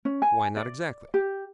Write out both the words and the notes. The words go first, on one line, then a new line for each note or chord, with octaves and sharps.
Why not exactly?
C#4
G#5
D5
G4